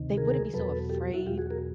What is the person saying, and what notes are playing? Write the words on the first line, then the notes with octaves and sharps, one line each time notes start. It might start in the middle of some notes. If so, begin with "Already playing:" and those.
they wouldn't be so afraid
Already playing: D2 C3 D#3
G#4 A#4
E2 B2 F#3 A4 B4
G4 A4
E4 F#4
E2 B2 F#3 F4 G4
F#4 G#4
G#4 A#4